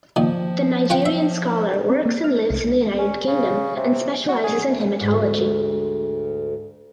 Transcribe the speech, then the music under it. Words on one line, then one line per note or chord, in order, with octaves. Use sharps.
The Nigerian scholar works and lives in the United Kingdom and specialises in Hematology.
A#2 D#3 F3
F4 F#5 G5
E5
C4
A#3
F6
C2
C#4
C#3
C3
F#4
G#4
D2
D2 G#2 G#3